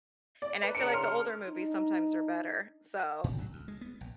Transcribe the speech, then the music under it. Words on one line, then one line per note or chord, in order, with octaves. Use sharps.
and I feel like the older movies sometimes are better, so
D5
B4
C#3 D4 A#4 C#7 D7 E7
C6 F6
D4 D#4
A2
F#3
D2
G#3
B3
A#1